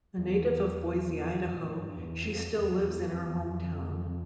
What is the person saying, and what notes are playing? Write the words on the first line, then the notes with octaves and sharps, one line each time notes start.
A native of Boise, Idaho, she still lives in her hometown.
E2
F2
B2
A2
G2
E2
F2
E2
F2
E2
E2
F2
E2
F2
E2
F2